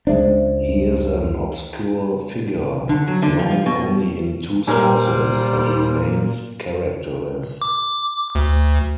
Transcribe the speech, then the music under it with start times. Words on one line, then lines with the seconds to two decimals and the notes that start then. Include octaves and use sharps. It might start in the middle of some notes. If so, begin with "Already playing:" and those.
He is an obscure figure, known only in two sources, and remains characterless.
0.07 C#2 G#3 D4 C5 E5
2.89 D3
3.08 F#3
3.22 D3
3.39 F3
3.51 F3
3.66 B2
4.67 A#2 G3 A#4 C5 G#5
7.62 D6
8.35 D2